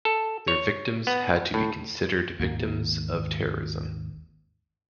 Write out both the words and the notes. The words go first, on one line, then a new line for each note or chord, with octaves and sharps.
Their victims had to be considered victims of terrorism.
A4
C#5
B3
A2
G#1 D#2 A#3